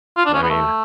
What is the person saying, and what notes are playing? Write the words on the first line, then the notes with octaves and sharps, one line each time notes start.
I mean,
F4
D4
C#4
B3
A3